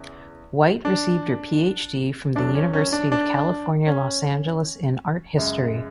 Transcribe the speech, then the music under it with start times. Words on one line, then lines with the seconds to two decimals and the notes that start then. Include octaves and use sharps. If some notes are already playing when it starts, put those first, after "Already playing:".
Wight received her PhD from the University of California Los Angeles in art history.
Already playing: E2 C#3
0.85 D4
2.35 E2 D3 F#3 D4
2.55 C#4
2.73 C#4
2.93 D4
3.12 D4
3.87 C#4
5.38 F#2 C#3 G#3